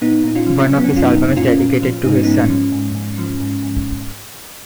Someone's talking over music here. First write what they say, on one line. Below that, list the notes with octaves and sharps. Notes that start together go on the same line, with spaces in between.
One of his albums is dedicated to his son.
A#2 B3 D#4
A#2 D#4
C#4 F4
F3
F#3 C#4
B3
C#4
F#2 F4
B3 D#4
F#2
A#2 C#4 F4
A#2
F3
G#2 D#4
C#4
G#2 B3 D#4
C#4
F3
G#2
G#2
F3
G#2
G#2